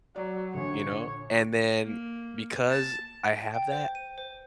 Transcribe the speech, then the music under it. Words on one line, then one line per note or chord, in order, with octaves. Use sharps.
you know, and then because I have that
F#3 D5
A#1 D3 C#5
A#3
A5
D7
G5
C5
D#7
C5